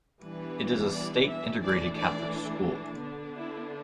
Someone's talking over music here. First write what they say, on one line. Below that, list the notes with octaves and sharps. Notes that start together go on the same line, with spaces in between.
It is a state integrated Catholic school.
E3 G3 B3 D4 B4
D5
E5
E3 A3 D4 D5
D5
D3 B3 D4
E4